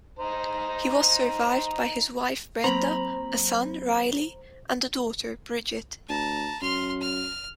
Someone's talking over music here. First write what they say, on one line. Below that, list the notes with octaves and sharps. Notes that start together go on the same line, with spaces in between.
He was survived by his wife Brenda, a son, Riley, and a daughter, Bridgette.
D#4 C5 A#5
F#3 A#3 C4 C5 A#5 B5
D2 A5 A#5
F#2 C6 F6
F6